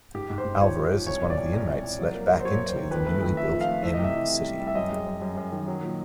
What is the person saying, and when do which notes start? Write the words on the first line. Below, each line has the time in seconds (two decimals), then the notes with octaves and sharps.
Alvarez is one of the inmates let back into the newly built Em City.
0.14 G#2 G4
0.30 G#2
0.38 C5
0.45 G#2
0.61 F3 C#5
0.77 F3
0.92 F3
1.06 C2 C#5
1.23 B2
1.30 D5
1.37 C2
1.53 C2
1.68 C2
1.83 C2
1.99 F#3
2.14 A#3
2.29 F#3
2.40 C5
2.45 F#3 C#5
2.61 F#3
2.68 C5
2.76 D#3
2.91 F2 B4
3.06 A3 B4
3.22 F2
3.37 F3 E5
3.52 F3
3.61 F5
3.67 A3
3.83 E3 E5
3.94 C3 D#5
4.04 E5
4.14 E3
4.29 C3
4.45 G3
4.60 G3
4.67 E5
4.75 F#2 D#5
4.91 G#3
5.06 F#2
5.22 F#2
5.37 F#2
5.52 D#3
5.68 F#3
5.82 A#2